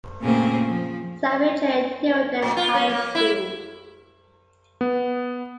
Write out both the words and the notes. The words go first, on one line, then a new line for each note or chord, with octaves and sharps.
Samuel J. Tilden High School.
A#2 C#3 A3 A#3 C4 G#4
F3
A#2
F4
C#4
A#3
E4
B3